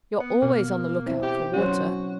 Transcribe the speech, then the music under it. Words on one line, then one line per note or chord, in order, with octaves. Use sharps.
"You're always on the lookout for water."
B3
B2 A#3
C4 E4
G4
F#3 C#4 F#4 C5